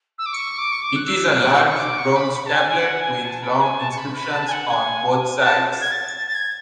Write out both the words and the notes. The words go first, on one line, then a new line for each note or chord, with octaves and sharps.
It is a large bronze tablet with long inscriptions on both sides.
E6
D6
C#6
D6
C#6
D6
F#6
E6
F#6
E6
C#6
D6
C#6
B5
B5
A5
G#5
G#5
F#5
G#5
A5
B5
G#5
A5
C#6
B5
B5
A5
G#5
F#5
G#5
A5
G#6
A6
A6
A6
G#6